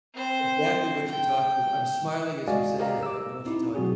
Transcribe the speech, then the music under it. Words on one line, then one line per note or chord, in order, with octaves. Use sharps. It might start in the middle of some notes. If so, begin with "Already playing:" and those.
Exactly what you're talking abou I'm smiling as you say that. I know what you're talking
C4 C5
G5
G#3 F#4 D5 D#5 F5 G#5
G4 A#4 D#5 F5 A#5
D6 E6
C4 D#4 E4
B2 F#3 C4 F#4 G#4